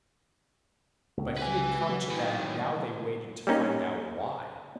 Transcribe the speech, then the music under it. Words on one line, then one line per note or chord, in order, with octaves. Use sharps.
But he had come to them and now they waited to find out why.
C#2
B4 G#5
F#3
A2 D#3
G3 A#3 C#4 D#4